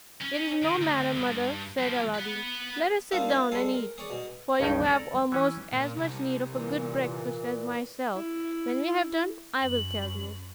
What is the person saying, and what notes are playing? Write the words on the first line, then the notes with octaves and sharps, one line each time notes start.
"It is no matter, mother," said Aladdin, "let us sit down and eat; for you have almost as much need of a good breakfast as myself; when we have done, I will tell you."
C#4
D#3
D2
G2
B1 F3
B4 F#5
G3 A#3 D4 D#4 F4 E5
F4 C5
G3 G#3 A4 C6
A#4
G#4 C#5 D5
B2
C#2 G2 C#4 D#4 G5
A4 D5 A#5
E3 C#4
A#2
C2
A#2 E3
E4
F#2 F#7